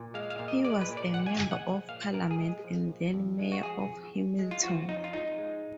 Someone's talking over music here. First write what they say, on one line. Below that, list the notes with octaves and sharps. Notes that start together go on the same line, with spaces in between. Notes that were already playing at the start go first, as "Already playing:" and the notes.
He was a Member of Parliament and then Mayor of Hamilton.
Already playing: A#2
G#3 F5
F5
A#2
D#5
G#3 D5
B4
A#2
D5
A#2 F#5
G#5
G#3 G#5
F#5
F3
A#2 F5
A#2 A#4
G#4
G#3
F3
A#2
F2
G#3
F#4
F3 G#4
F2
F2
G#3
F4
F3 F#4
F2 D#4
F4
G#2 D#4
G#3